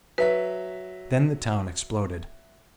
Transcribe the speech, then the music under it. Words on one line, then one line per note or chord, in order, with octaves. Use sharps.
Then the town exploded.
F#3 B4 E5 B6